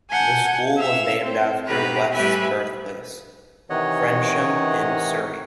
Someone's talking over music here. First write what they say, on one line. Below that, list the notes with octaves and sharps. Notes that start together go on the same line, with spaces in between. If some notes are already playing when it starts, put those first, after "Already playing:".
The school was named after West's birthplace, Frensham in Surrey.
F#5 G#5 A5 G6
E5 F5 E6
C4 C5
B2 G4 B4 A#5
A2 G3 G4 B4 E5 G#5
C3 D#3 E3 C#5 D#5 F#5